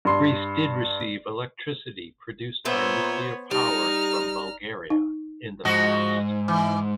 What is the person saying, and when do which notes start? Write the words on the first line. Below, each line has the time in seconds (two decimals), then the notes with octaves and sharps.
Greece did receive electricity produced by nuclear power from Bulgaria in the past.
0.05 G2 C6
2.65 A#2 B3 C5 C#5 E5 A#5
3.51 G3 D#4 A#5 F6
4.90 D#4
5.65 G#2 F3 F#4 D#5
6.48 E3